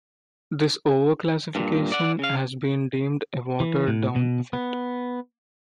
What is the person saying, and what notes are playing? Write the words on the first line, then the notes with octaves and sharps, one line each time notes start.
This over-classification has been deemed a "watered down effect".
G2 A#2
D5 F#5
C#3 F5
E3
A2
B2
B3